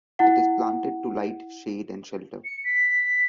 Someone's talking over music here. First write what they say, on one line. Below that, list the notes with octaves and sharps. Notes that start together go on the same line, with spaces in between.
It is planted to light shade and shelter.
E4 F#5
C#7
B6